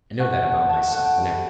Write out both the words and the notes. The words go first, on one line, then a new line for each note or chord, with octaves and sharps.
I know that about myself now.
A3 F#5
G5
A3 F#5
A3 A5
G5
A3 F#5
G5
G3